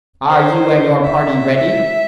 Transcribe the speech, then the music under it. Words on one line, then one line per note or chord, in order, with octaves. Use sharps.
"Are you and your party ready?"
C5
E5